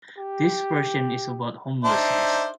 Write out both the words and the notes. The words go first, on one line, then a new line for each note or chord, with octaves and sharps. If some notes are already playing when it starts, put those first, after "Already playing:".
This version is about homelessness.
G4
D4 D#4 C5 E5